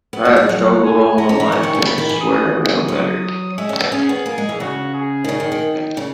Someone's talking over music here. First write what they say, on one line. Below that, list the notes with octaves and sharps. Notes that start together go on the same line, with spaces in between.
I have struggled all my life, and I swear I'm no better.
B3
A#3
G#3
F#3 F#5
G#5
B3 A#5
C#4
E3
E3 C#6
D#3
C#3
B5
D#3
E3
D#6
D#6
F#3
G#3 E5
C#4
B3
C#4 G#4
B3
A#3 G#4
G#3
E3
C#3 F#4
G#4
D#3
C#3
D#3
D#3
C#3